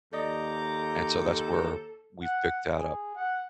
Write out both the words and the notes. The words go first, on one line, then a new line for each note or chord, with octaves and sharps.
And so that's where we've picked that up.
D#2 A4 D5 D#5 A#5 D6 D#6 G6
F#5
G#4
F#5